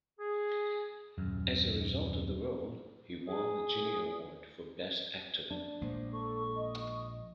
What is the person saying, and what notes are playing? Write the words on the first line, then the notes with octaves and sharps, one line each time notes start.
As a result of the role, he won the Genie Award for Best Actor.
G#4
D#1 F#2
G#4
D4
A#1 A#2 G#3 C5
A4 C#6
D#5